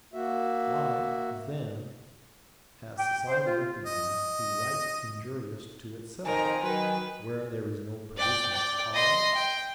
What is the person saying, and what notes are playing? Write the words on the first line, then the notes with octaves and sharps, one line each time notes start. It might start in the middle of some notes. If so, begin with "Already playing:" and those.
Why, then, has society recognized a right injurious to itself, where there is no producing cause?
A#3 F#4 E5
G5
C5
F4
D#5
F2 D#3 A#4 C5 G#5
D#3 F#3 B4
D5 G5
D5 G5
D#5 C6
G5